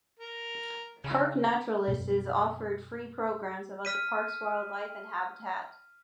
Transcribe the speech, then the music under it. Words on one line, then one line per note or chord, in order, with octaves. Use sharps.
Park naturalists offered free programs about the park's wildlife and habitat.
A#4
C#3
F#2 B2
F6 B6 D#7